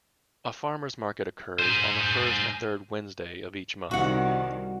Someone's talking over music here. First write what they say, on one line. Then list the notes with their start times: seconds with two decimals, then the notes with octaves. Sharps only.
A farmers' market occurs on the first and third Wednesday of each month.
1.59 G#4 C5
3.91 C2 D#3 F#4 F#5